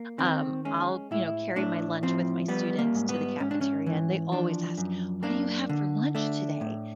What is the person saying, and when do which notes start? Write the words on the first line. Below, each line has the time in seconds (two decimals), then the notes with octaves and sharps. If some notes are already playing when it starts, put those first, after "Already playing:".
um, I'll, you know, carry my lunch with my students to the cafeteria, and they always ask, "What do you have for lunch today?"
Already playing: A#3
0.18 D#3 C4
0.65 G#3 C#4
1.11 A2 E4
1.56 A2 D4
2.03 F3 C4
2.48 G3 B3
2.79 A#3
2.95 G#2
3.09 B3
3.40 G#2 C#4
3.51 D4
3.61 C#4
3.86 E3
4.32 F3 D4
4.78 F#2
5.23 A#3 D4
5.69 D3
6.15 A3 D4
6.61 A2